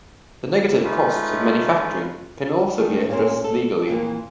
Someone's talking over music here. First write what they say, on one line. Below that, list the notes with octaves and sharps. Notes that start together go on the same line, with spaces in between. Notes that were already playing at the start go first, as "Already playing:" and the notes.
The negative costs of manufacturing can also be addressed legally.
G#3 A3 C#4 D#4 F4 B4
D#3 A3 D4 G#4
A#2 C4 C#4 A#4 C5
A4
F2 A#2 E3 A#3